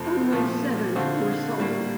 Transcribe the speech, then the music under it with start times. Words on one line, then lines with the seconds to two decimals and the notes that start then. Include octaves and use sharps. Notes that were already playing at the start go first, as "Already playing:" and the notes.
Only seven were sold.
Already playing: F2 C3 F3 A3 C4
0.32 A#2 F3 A3
0.95 D3 A3 C4 F4
1.59 A2 G3 A#3